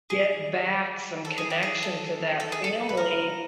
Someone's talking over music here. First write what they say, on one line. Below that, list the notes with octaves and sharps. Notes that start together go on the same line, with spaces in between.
get back some connection to that family,
G#4
A4
G#4
G4
G#4
A4
A4
G#4
A4
B4
A#4